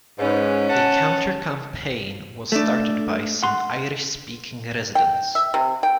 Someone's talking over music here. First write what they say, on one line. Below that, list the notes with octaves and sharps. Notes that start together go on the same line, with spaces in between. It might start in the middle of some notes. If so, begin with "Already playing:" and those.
A counter-campaign was started by some Irish-speaking residents.
G#2 C#4 B4
F#5 A5
A3 D4
F#5 C6
G5
E5
C3
G5